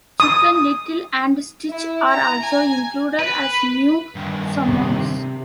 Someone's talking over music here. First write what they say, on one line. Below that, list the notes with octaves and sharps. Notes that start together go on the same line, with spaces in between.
Chicken Little and Stitch are also included as new summons.
D#6
E4
A#5
G#5
B4
G2 D#3
C3